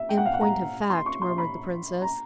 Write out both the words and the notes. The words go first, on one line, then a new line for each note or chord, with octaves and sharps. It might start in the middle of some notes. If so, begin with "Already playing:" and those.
"In point of fact," murmured the princess...
Already playing: E5
G5
F#5
F5
F#5
A#5
C6
C#6
C6
B5
A#5